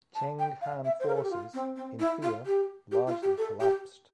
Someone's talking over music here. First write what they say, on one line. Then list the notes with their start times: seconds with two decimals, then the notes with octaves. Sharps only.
Cheng Han forces, in fear, largely collapsed.
0.15 A5
0.39 G5
0.62 F5
0.85 E5
1.00 C5
1.08 A#4
1.15 A4
1.23 G4
1.31 F4
1.54 C4
1.76 C4
2.00 E4
2.22 F4
2.46 G4
2.92 G4
3.07 F4
3.22 G4
3.38 A4
3.60 G4